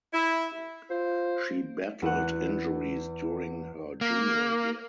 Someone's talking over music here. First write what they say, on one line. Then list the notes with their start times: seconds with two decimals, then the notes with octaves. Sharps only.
She battled injuries during her junior year.
0.13 E4
0.91 F4 C5
2.02 E2 F#5
4.01 A#3